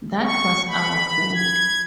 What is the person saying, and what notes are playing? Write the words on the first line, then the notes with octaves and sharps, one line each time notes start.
That was our goal.
C#6
B5
G#6